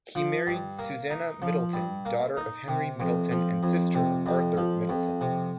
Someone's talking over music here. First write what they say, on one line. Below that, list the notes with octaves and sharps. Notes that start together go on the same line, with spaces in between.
He married Susannah Middleton, daughter of Henry Middleton and sister of Arthur Middleton.
F3
G2
A#3
D#4
F3
G2
A#3
D#4
C3
F2
F3
F2
C3
F2
F3
F2
C3